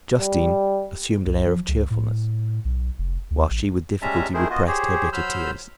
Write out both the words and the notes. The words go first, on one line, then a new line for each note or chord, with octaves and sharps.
Justine assumed an air of cheerfulness, while she with difficulty repressed her bitter tears.
G3
C2
F3
C#2
A2
B1
F1
D2
A1
G3 G#3 C#4 E5 A5 A#5
D#3 A3 E4 G#4 A#4 C5
B3 F4 F#4 D#5
G4 G#4 C5 C#5
F#3 C5 B5 E6 F6 G6